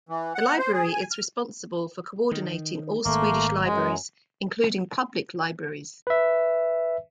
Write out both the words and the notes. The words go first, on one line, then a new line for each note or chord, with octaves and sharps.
The library is responsible for coordinating all Swedish libraries, including public libraries.
E3
F#5
C5
G#4
G#5
F6
D#3
G#1 A3 A#3
F#2 G#3
B4 E5